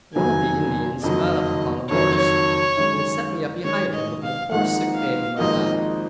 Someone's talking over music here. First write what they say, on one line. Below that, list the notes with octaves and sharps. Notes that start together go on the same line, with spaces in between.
One of the Indians got up upon a horse, and they set me up behind him, with my poor sick babe in my lap.
F#1 F2 D#3 F#3 A#3 G#5
F#1 F2 D#3 F#3 D#5
F#1 F2 D#3 F#3 C#5
F#2 D#3 G#3
F#2 D#3 G#3 C#5
D#5
F5
G#1 G#2 F3 A#3 D#4 F#5
F5
G#1 G#2 F3 A#3 D#4 D#5